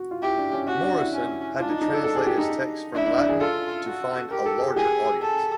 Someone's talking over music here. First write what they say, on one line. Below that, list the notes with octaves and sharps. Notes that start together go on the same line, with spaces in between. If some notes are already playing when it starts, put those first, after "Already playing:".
Moryson had to translate his texts from Latin to find a larger audience.
Already playing: F#4
F4
E4 G4
D4
C#4
C#4 F#4
D4
E4
C#4
D4 F4
D#4
D#4
A4
A4
G#4
G4
D#4
D4 E4
D4
D4
G#4
F4 A4
F#4
G4 A#4
A4
G#4
G4 G#4
A4